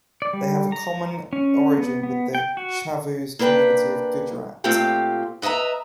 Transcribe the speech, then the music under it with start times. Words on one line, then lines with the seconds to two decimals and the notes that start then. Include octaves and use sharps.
They have a common origin with the Chavuse community of Gujarat.
0.22 D5
0.33 G3
0.72 A#5
1.33 C#4
1.78 B3
2.03 B3
2.35 G5
2.57 F#4
3.39 A#3 D4 B4 G5
4.64 A#2 A3 C4 F4 G4 G5
5.42 B4 D#5 E5 G5 A#5